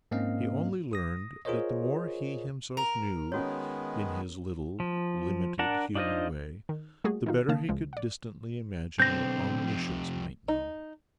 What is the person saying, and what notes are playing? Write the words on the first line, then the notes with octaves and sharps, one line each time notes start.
He only learned that the more he himself knew, in his little limited human way, the better he could distantly imagine what Omniscience might know.
G#2 A#3 C4 C#4 D#5 F5
D#6 A#6
F4 G#4 A#4 C5 C#5 D#5
A#4
D#3 G#3 B3 C#4 F#4 C#5
F3
D4 A#4 F#5 A5
D4 D#4 F4 C5 D#5
D#3
G3 A3 A#3 F#4 G#4
D#3 E3 D#4 F4
C#3 A#3 F5 A5 D#6
C#2 F3 G#3
D5 F#5
B1 D3 C4 G6 A#6
F2 C3
D#4